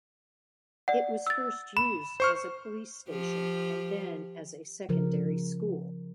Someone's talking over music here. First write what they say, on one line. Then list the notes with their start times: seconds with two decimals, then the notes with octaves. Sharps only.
It was first used as a police station and then as a secondary school.
0.88 D5 F#5
1.27 E6 A6
1.77 B5 E7
2.20 C5 C#6 F6
3.09 F3 G4
4.89 C#3 F3 A#4